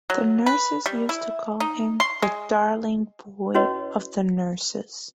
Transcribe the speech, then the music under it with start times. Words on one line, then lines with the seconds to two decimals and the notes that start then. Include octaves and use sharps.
The nurses used to call him ""The darling boy of the Nurses"".
0.10 F#3
0.46 B4
0.86 G3
1.09 E4
1.60 D#4
2.00 C6
2.22 G#3
3.54 C#4 E4 F#4 B4 C#5 D#5